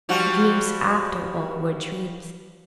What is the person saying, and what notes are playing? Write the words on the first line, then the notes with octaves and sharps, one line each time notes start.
Dreams, after all, were dreams....
F3 G3 F#4